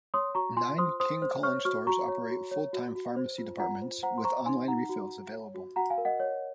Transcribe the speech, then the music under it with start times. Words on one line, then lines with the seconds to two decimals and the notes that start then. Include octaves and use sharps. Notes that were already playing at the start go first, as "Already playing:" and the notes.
Nine King Kullen stores operate full-service pharmacy departments, with online refills available.
0.14 C#5 C6 D#6
0.35 F#4 A#5 C#6
0.57 F4 G#5 C6
0.78 C5 C6 D#6
1.00 C5 C6 D#6
1.22 C5
1.43 C#5 C#6 F6
1.65 F#4 C#6 F6
1.87 F#4 A#5 C#6
2.08 C#5
2.30 F#4
2.51 C#5
2.73 F#4
2.95 F#4
3.16 C5
3.38 F4
3.60 F4 F#5 A#5
3.82 C5
4.03 C5 F#5 A#5
4.18 C6
4.24 C5 A#5 C#6
4.46 D#4 G#5 C6
4.68 D#4 F#5 A#5
4.89 F#4
5.11 F#4
5.33 C#5
5.54 F#4
5.76 F#4 F#5 A#5
5.90 F5 G#5
5.98 A#4
6.05 D#5 F#5
6.20 C#5